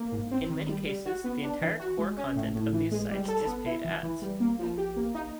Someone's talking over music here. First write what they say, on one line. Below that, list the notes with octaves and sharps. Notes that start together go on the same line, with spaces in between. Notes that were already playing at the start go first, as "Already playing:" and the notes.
In many cases, the entire core content of these sites is paid ads.
Already playing: A#3
G#2
C4
D#3
G3
G3
F#4
B3
D4
E3
F#4
G#3
C#4
A2
A2
E3
G#3
G3
A4
B3
E4
E3
E3
G3
A#3
F3
G4
A#3
D#4